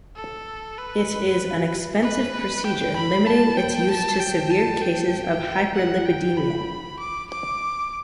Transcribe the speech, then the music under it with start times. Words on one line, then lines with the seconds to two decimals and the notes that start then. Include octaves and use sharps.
It is an expensive procedure, limiting its use to severe cases of hyperlipidemia.
0.16 A4
0.78 B4
2.02 B4
2.65 G5
2.96 B5
3.27 A5
3.57 G5
3.89 A5
4.20 G5
4.51 A5
4.82 G5
5.75 F#5
6.06 G5
6.37 B5
6.99 D6
7.31 D6